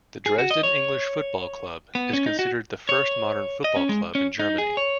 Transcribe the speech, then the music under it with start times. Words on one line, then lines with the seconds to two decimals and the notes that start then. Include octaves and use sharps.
The Dresden English Football Club is considered the first modern football club in Germany.
0.26 G#4
0.38 F#4
0.51 D#5
0.63 C#5
1.95 B3
2.13 C#4
2.26 D#4
2.39 F#4
2.89 C#5
3.64 D#5
3.76 C#4
3.89 G#3
4.15 C#4
4.39 D#4
4.58 G#4
4.77 C#5